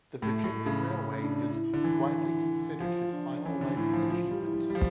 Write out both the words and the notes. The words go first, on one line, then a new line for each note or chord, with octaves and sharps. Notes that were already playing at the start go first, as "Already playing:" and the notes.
The Virginian Railway is widely considered his final life's achievement.
A2 A3
A2
A3
C#3
C#4
D4
E4
D3
E3
F3 F4
D4
E3 C#4
D3
A2 E4
F3
F3 F4
G3
E4
G3
G3
F3